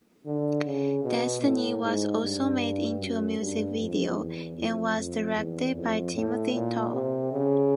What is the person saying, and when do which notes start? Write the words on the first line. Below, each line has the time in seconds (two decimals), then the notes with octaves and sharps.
"Destiny" was also made into a music video, and was directed by Timothy Tau.
0.25 D3
0.65 C#3
1.04 B2
1.43 A2
1.82 G#2
2.21 G2
3.00 F#2
3.39 G2
3.79 F2
4.18 E2
4.57 F2
4.97 F2
5.36 E2
5.76 F2
6.15 A2
6.54 A#2
6.93 C3
7.32 C#3